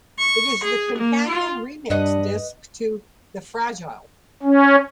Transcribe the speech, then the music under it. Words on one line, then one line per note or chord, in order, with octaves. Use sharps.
It is the companion remix disc to "The Fragile".
C#6
G#4
A#3
F4
G2 G3 D4 B4 D#5 F#5
C#4